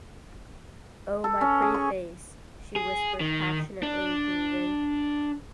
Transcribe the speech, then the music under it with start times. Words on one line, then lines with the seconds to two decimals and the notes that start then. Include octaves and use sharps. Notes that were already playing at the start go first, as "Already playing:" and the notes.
"Oh, my pretty face," she whispered, passionately grieving.
1.24 A4
1.41 C#4
1.62 G#4
1.74 C#6
2.76 G#4
3.20 D#3
3.83 D4